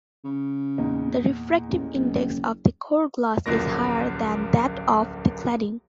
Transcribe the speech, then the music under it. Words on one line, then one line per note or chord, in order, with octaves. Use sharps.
The refractive index of the core glass is higher than that of the cladding.
C#3
E2 A#2 D#4
A1
F#1
D1 B1 F#2 F3 A#3 A#6